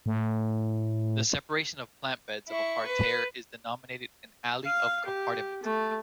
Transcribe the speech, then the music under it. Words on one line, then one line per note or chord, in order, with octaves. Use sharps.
The separation of plant beds of a pareterre is denominated an "alley of compartiment".
A2
E4 C#6
B4
F5
G4
A3